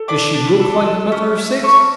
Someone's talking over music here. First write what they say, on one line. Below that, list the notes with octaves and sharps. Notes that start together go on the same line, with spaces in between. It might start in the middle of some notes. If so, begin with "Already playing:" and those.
'Does SHE look like the mother of six?'
Already playing: A4
D4 B5 D6
D4
B5 D6
A4
A4
C#4
E4
C#4 A5 C#6